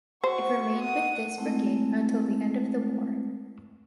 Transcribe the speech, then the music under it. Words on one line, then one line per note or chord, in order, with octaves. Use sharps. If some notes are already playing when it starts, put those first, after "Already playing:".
It remained with this brigade until the end of the war.
F#4 C5 C#6
F#5 D#6
G#3 A3 C4 E4